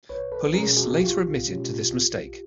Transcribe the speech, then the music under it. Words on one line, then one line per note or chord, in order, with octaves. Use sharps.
Police later admitted to this mistake.
B1 B4 C#5
A4 B4
B2 G#3 C#4 G#4 A#4
F#4 G#4
B1 F4 G4
B2 G#3 C#4
B1